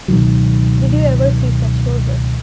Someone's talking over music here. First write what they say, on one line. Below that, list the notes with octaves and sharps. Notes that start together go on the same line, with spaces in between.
Did you ever see such roses?
C#2 B2 D#3 F#3